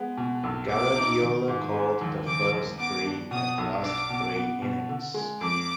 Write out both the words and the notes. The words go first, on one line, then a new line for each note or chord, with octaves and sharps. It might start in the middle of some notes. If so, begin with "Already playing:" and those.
Garagiola called the first three and last three innings.
Already playing: G#3 B3
B2
B1
B3 D6
D#4
D#3
G#2
G#3
D#2
D#3 D6
D#2
B3 D6
D4
B2 D#6
B1
D4 D6
B2
B3
B2
D3
G#3
F2 D6